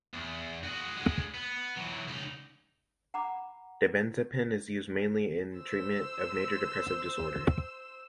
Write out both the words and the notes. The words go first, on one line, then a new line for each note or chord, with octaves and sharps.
Dibenzepin is used mainly in the treatment of major depressive disorder.
E2
F#4 G#4
D2 G#3
B3
E3 F#3
C#2 D#4
F#5 A#5 B5 D6
C5 E6